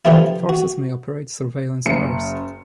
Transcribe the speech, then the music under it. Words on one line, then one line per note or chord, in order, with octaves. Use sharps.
Forces may operate surveillance cars.
D3 E3 F3 G3 A3 E4
F#4
F#1 C#3 C#7